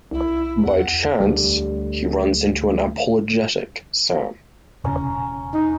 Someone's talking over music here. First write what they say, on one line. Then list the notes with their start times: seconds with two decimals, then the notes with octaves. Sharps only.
By chance, he runs into an apologetic Sam.
0.11 C2 E4
0.64 E2 F#5
1.20 D2 G3
4.84 E1 C#3 C#4 A#5
5.54 D#4